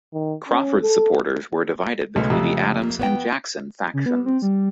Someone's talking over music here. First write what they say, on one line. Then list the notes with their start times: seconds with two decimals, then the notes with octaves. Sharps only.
Crawford's supporters were divided between the Adams and Jackson factions.
0.14 D#3
0.49 C#4
0.82 A4
2.16 B1 C#3 G#3 A3
2.30 F2 C3
2.82 A#3
3.00 B3 C#5 G5
3.94 C#3
4.06 B3
4.26 C4
4.42 G3